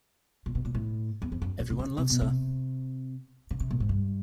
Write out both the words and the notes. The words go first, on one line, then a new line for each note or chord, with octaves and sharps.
Everyone loves her.
A#2
B2
A#2
A2
E2
F2
F#2
A#2
C3
C#3
C3
B2
C3
C#3
C3
A#2
G#2
G2